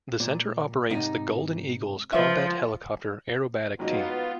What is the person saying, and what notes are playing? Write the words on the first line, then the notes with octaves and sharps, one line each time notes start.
The center operates the "Golden Eagles" combat helicopter aerobatic team.
A#2
G#2 C3 D#4
C#2 F3 B4 E5
G#1 F#3 B3 D#4 F4